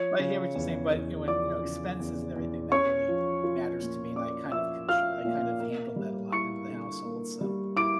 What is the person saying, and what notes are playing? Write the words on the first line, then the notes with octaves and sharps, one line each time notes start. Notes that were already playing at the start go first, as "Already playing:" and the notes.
I hear what you're saying, but you know, when, you know, expenses and everything that really matters to me and I kind of contr I kind of handled that a lot in the household, so
Already playing: F3 C#5
C#3
E2
E2
F3 D5 D6
C#3
E2
E2
C#4 C#5 C#6
F3
F4
A#2
C#4 D5 D6
F3 E5 E6
F4 F5 F6
A#2
A#3
G3
E4 C#6 C#7
D3
A#3
G3
E4 D6 D7